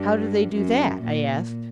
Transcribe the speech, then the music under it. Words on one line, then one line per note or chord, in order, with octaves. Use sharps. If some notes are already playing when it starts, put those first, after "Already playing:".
"How do they do that?" I asked.
Already playing: G2
F#2
A#2